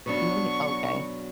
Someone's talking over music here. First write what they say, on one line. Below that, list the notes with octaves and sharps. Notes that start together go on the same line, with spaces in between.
Me Okay.
B2 F#3 D4 C#6